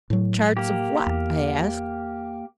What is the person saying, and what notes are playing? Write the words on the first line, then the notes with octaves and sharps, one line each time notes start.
"Charts of what?" I asked.
A2 F#3
A#3 G4
E2